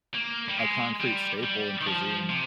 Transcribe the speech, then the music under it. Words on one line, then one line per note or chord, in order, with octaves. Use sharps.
a concrete staple in cuisine.
A#3
G3
G#3
G3
G3
D#3
F3
C3